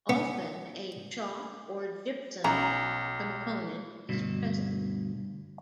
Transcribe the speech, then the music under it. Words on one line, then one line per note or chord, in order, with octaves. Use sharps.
Often a chalk or gypsum component is present.
B3
B1 C#4 A#5
D2 G2 B2